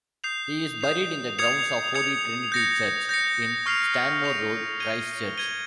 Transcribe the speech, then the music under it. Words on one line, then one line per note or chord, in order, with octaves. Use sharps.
He is buried in the grounds of Holy Trinity Church in Stanmore Road, Christchurch.
D#6 G6 C7 F7
D#6 G6 C7 F7
D#6 G#6 C#7 F7
D#6 G#6 C#7 F7
G6 A#6 C#7
G6 A#6 C#7
C#6 F6 C7 F7
C#6 F6 C7 F7
G#6 D#7 G7
G#6 D#7 G7